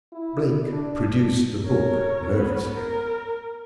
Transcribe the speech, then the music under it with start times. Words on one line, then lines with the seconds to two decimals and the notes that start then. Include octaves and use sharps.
Blake produced the book nervously.
0.12 E4
0.73 D4
1.62 A#4 C#5
2.35 B3 C#4
2.72 A#4